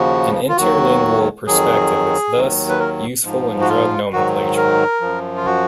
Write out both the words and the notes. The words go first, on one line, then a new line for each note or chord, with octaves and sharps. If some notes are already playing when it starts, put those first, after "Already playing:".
An interlingual perspective is thus useful in drug nomenclature.
Already playing: D#2 C#3 F3 F#4
F4
D#2 D#3 F#3 F#4
F2 D#3 F#3 G#4
D#2 D#3 F#3
B4
A#4
G#2 F3
F#4
F4
G#2 D#3 F#3 F#4
A#4
F#2 F3
F4
F#4